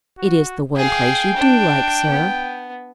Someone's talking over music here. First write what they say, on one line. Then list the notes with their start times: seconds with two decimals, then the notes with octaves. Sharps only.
"It is the one place you do like, sir."
0.18 F#4
0.77 G#4 F5 G5
1.37 D4
2.10 B3